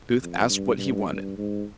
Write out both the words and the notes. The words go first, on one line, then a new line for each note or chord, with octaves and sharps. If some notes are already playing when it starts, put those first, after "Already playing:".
Booth asked what he wanted!
F2
G2
G2
G2
G#2